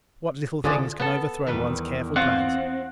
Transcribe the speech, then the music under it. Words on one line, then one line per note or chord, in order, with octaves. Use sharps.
What little things can overthrow one's careful plans!
D3 F3 G#3 C#4 E4 D5
B3 A4
E2 D#3 G3 B4
C4 F4 F#5